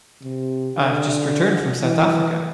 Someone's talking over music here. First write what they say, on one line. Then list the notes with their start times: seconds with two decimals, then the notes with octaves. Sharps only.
I’ve just returned from South Africa.
0.22 C3
0.75 D3
1.81 E3